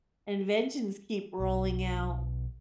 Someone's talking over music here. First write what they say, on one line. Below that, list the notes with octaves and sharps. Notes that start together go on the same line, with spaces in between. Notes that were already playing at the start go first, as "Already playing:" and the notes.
inventions keep rolling out.
B1